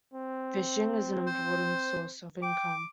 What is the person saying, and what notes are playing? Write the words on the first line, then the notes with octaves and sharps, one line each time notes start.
Fishing is an important source of income.
C4
C5
G5 D6